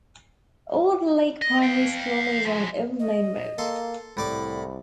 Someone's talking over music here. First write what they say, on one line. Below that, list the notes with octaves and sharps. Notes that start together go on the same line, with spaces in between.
Old Leake Primary School is on Old Main Road.
D#5
F5 G5
F3 G#3
D#5
A#3 A4 C6
C2 A2 D5 B5 D6